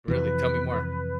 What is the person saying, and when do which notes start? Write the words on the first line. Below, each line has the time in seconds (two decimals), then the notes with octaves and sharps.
Really? Tell me more.
0.08 F2 C3 E3 B4